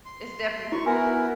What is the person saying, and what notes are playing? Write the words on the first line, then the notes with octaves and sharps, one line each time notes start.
It's definitely
C6
E4 F#4 C#6
B3 E4 F#4 A#4 G#5